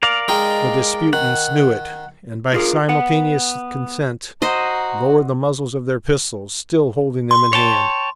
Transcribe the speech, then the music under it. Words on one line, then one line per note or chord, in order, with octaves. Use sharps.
The disputants knew it; and by simultaneous consent lowered the muzzles of their pistols--still holding them in hand.
A#4 D5 F5
G#3 D#4 G5
D#3 F#5
F4 G#4 A#4
B3 F#5
F#4 C5 D#5 A#5
C6
C#5 G5 A5